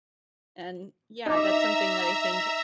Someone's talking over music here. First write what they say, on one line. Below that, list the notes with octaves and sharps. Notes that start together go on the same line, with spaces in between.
and yeah, that's something that I think
D#4 E5 A#5 D6 E6